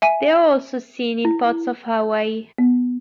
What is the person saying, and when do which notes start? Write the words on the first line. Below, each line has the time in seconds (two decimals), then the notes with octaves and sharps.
They are also seen in part of Hawaii.
0.02 E5 G#5 D#7
1.25 E4
2.59 B3